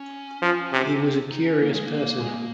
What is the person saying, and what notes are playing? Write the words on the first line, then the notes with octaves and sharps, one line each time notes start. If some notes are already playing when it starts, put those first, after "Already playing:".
He was a curious person.
Already playing: C#4
F3
C3
C4
D#4
C#4
A#3
G#3
A#3
G#3
A#3